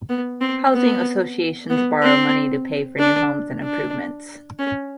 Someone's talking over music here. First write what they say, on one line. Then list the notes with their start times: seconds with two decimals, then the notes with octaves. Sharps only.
Housing associations borrow money to pay for new homes and improvements.
0.09 B3
0.41 C4
0.73 B3
1.70 B3
2.02 C4
2.99 D4
3.63 D4
4.59 C#4